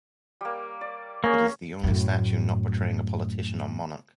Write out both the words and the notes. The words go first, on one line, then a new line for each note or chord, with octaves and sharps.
It is the only statue not portraying a politician or monarch.
G3 A#3
D5
A#3 C#4 G#4
F#2 A2